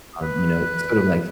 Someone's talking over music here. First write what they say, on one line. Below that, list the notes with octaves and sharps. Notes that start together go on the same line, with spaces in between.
um, you know, sort of like,
B4